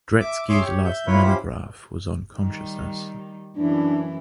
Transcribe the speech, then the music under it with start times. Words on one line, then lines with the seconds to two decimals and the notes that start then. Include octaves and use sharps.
Dretske's last monograph was on consciousness.
0.20 E5 D6
0.49 G#4 C#5 E5 C6 D6 E6
0.61 G4 C#5
0.85 E5 G6
1.07 E4 F4 A#4 B4 C#5 B5
1.22 C#4 E4 F4 G4 C5 B5
2.36 D#3 G3
3.55 F#2 E3 D4 E4